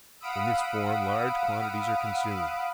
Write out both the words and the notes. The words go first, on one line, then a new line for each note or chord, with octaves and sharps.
In this form large quantities are consumed.
F5 F#5 B5 D#6 E6 D7